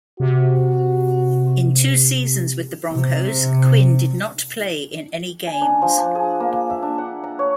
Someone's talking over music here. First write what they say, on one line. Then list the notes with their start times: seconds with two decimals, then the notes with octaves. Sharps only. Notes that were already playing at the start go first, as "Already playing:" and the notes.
In two seasons with the Broncos, Quinn did not play in any games.
0.20 C3 F#4
2.92 C3
5.47 G#5
5.61 D4
5.82 F3
5.98 D4
6.15 G#4
6.40 A#3
6.70 E5
6.82 D4
6.98 F#5
7.24 A#5
7.39 C#5